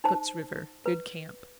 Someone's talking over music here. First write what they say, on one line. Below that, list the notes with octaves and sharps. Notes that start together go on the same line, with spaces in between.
Soot's River.--Good camp.
D#4 C5 A5
B4